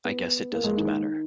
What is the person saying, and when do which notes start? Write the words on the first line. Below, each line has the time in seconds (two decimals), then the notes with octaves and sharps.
I guess it doesn't matter.
0.05 B3
0.52 A#3
0.64 G#3
0.76 D#3
0.88 D#3